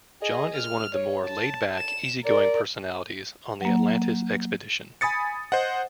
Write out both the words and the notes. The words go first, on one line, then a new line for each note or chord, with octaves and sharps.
John is one of the more laid-back, easy-going personalities on the Atlantis Expedition.
G#4 D#5
F6
C#5
A5
E7
A#4 D5
F#3 A#3
G#5 B5 D#6 A6 C#7
C5 D#5 F#5